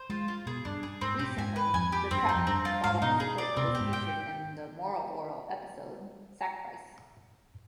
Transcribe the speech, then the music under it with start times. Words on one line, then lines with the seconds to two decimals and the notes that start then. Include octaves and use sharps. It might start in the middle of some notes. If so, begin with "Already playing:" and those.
Recently, the track "Bottomless Pit" was featured in the Moral Orel episode "Sacrifice".
Already playing: C5
0.09 G#3 F4
0.28 F4
0.46 B2 G#4
0.65 G2 D4
0.83 G#4
1.01 G#2 C4
1.19 B2 G4
1.37 G#2 G#5
1.56 B4
1.74 F2 G#5
1.92 G4
2.11 G2 C4
2.23 G2
2.29 D#4
2.34 F2
2.47 G2 C4
2.65 F4
2.84 G#2 F5
3.02 B2 D#4
3.20 G#4
3.38 D5
3.57 C3 C4
3.68 B2
3.75 G4
3.80 G#2
3.93 G5